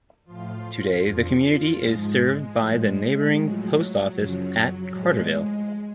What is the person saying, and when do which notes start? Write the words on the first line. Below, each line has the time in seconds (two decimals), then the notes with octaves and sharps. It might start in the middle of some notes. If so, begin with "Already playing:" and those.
Today, the community is served by the neighboring post office at Carterville.
0.25 A2 F3 F4
1.02 F2 D3 F3
1.41 F4
1.79 G#2 F3 G#3
2.57 A2 F3
3.34 A2 F3 F#3
4.12 F#2 C#3 F3
4.89 A2 F3 G#3